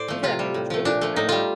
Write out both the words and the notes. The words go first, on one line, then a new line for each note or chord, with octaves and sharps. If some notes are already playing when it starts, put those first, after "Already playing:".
do that, and it's really kind of,
Already playing: A2 C5 D5
F3 A3
C3 F4
G3
A2
F3 A3
A#2 D4
F3 A3
A2 D#4
G3 F4